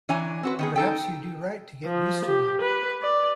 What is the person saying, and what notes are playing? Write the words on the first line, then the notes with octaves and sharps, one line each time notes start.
Perhaps you do right to get used to one.
E3 D4 C#5 G#5 A#5
C4 F#4 B4
D#3 B3 G#4
D#4 A4 G5
F3
G4
B4
D5